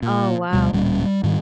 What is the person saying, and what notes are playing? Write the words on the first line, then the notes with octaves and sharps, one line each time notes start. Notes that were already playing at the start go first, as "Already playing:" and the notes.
Oh, wow.
A#2
D2 B2 G3
D1 A#2 G3 C#4
G3
G#2 D#3 G3